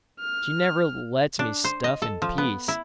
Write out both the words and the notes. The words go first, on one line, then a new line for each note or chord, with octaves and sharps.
She never lets me stuff in peace.
F6
D4
C5
D#5
A4
F3
B3
E4